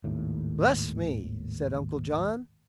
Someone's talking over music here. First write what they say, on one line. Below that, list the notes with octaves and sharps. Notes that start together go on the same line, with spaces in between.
"Bless me!" said Uncle John.
G#1 D#2 A2